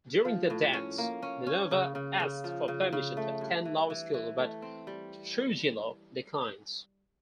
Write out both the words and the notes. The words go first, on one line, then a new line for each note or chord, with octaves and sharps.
During their dance, Minerva asks for permission to attend law school, but Trujillo declines.
F3
A2
C#4
A#3
C#4
C#4
C#3
C#3
C#3
F3
C#3
C#3
A3
G2
E3
E3
E3
A3
C4
G3